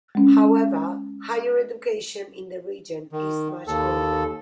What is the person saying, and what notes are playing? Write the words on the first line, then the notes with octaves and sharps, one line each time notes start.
However, higher education in the region is much older.
G#3 C#4
D#3
D#2 A4